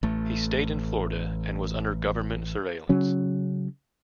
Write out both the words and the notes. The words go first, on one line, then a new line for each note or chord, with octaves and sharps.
He stayed in Florida and was under government surveillance.
A1 A3
C#3 F#3 C#4